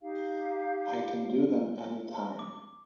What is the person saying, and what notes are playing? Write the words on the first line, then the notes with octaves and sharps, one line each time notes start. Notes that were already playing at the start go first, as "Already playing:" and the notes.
I can do them any time.
D#4 G4 F5
D6